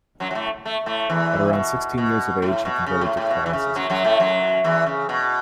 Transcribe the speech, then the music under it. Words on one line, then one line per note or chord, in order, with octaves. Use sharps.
At around sixteen years of age he converted to Catholicism.
F#2 F#3
F#3
A2 A3
A3
A2 A3
E2 E3
B2
B2
A2
B2
C#3
A2
A2
B2
E3
C#3
F#2 F#3
F#2 F#3
A2 A3
F#2 F#3
E2 E3
C#3
B2